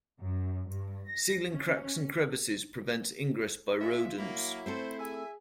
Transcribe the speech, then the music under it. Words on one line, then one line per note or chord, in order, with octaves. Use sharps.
Sealing cracks and crevices prevents ingress by rodents.
F#2
G2
A#6
C#4
F#3 G#3 F4 E5
F#3 A#3 E4
A3 C4 A4 C5
G#4 E5 G#5